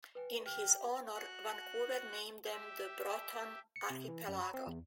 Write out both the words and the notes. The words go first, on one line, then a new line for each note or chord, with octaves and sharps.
In his honour, Vancouver named them the Broughton Archipelago.
B4 G5 G#5
G4 F6
F#4 F#6
G4 E5
C#7
C3
E3
F#2
B5
C4
E2